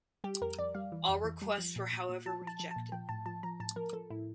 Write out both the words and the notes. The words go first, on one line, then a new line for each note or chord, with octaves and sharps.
All requests were however rejected.
G3 G4
F2 A#4
F2 D5
G3 F5
E3
F2
E3
G3
F3
A#2
A#2
A#2
F3 A5
F3
A5
F3
A5
A#2
F3 G5
A2 A5
F3 A5
F3 A#5
A2 A5
F3 A#4
F3 A4
A2 E4